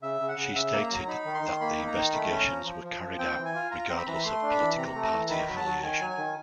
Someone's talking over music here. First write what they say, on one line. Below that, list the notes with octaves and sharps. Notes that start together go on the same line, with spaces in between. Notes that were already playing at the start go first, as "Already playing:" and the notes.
She stated that the investigations were carried out regardless of political party affiliation.
C#3 E5
C#3
F#5
C#3
C#3 E5
A#3
A#5
F#3
D#4 B5
D#3
C6
D#3
C6
A#3 B5
D#4
A#5
D#3
A3 B5
C#4
A#5
F3
F3
F3
F3
C4 G5
E3
G#5
F4
F4 A#5
C4
B5
E3 A#5
B5
A3 C6
D4
B5
E3
C3 A#5
A3
A#5
E3
D#3 B5
A#5
F#3 B5
A5
F#3
D#3 G#5
F#3
G#5
D#3